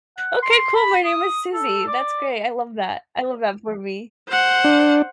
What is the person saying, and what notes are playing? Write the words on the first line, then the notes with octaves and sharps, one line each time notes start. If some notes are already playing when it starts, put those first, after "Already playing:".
Okay, cool, my name is Susie, that's great, I love that. I love that for me.
F#5
C6
B5
D#6
A4
D5
C5 F#5
D4